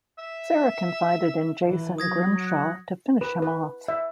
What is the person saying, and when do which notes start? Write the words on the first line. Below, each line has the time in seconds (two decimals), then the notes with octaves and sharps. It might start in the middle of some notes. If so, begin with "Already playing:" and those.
Sarah confided in Jason Grimshaw to finish him off.
0.18 E5
1.66 E3
1.98 F#3 D#6 G#6 A#6
2.38 F#5
3.21 B4
3.42 B4
3.88 E5